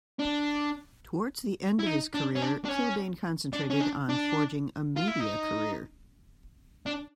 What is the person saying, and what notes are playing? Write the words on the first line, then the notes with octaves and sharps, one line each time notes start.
Towards the end of his career Kilbane concentrated on forging a media career.
D4
E4
D#4
D4
C#4
D4
D4
C#4
D4
C#4
D4
D4
F4
E4
D#4
D4